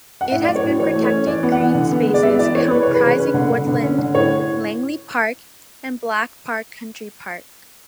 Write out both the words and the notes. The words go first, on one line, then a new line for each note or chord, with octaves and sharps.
It has protected green spaces comprising woodland, Langley Park and Black Park Country Park.
F#5
A2 E5
D5
F#3
C#5
A2
E3 C#5
A3
C#5
C#4
E3 D5
B3
F#5
E3
D3
B3
G#3
D5
B3 E5
E3 D5
E3 C#5
E3 B4
C#5
C#3
B4
C#3 C#5
C#4 B4
D3
D3
D3
C#4
D3
A2 C#5